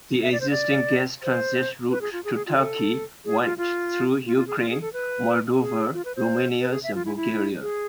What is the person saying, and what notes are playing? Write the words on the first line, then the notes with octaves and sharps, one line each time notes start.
The existing gas transit route to Turkey went through Ukraine, Moldova, Romania, and Bulgaria.
E5
D5
C5
D5
C5
B4
G#4
F4
G#4
G#4
F4
A4
G#4
F4
F4
F4
F4
G#4
F4
G#4
A4
B4
G#4
F4
B4
C5
B4
G#4
E5
F4
E4
E4
G#4